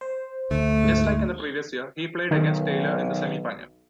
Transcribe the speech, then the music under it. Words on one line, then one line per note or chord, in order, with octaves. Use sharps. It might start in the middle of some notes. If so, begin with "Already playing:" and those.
Just like in the previous year, he played against Taylor in the semi-final.
C5
D2 A3
G#2
B1 D#3